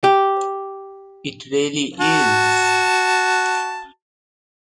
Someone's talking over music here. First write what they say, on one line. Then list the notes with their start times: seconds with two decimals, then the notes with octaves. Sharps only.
It really is.
0.04 G4
2.00 F#4 A5